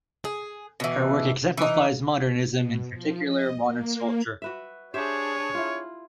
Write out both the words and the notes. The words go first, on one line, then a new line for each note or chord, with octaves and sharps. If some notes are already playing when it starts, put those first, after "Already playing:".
Her work exemplifies Modernism and in particular modern sculpture.
G#4
B2 E3
E3 D#4
B2
F3
D#5
A#3
F#4 B4 E5
D4 G4 G#4 C5 C#5 E5
E4 F4